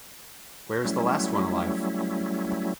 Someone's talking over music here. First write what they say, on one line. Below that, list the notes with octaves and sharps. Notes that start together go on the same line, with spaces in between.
Where’s the last one alive?
F#3 G3 A3 C#4 E4